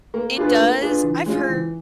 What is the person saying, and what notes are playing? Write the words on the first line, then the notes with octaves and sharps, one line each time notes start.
it does I've heard
A#3
D4 F4 G#4 B4
A#3
D4 F4 G#4 B4
E3
G#3 C#4 F4 G#4
E3